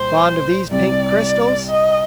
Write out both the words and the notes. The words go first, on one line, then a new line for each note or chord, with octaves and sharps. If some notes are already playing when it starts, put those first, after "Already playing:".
"Fond of these pink crystals?"
Already playing: C2 A#2 C5
C2 C3 G3 C4 D5
D#5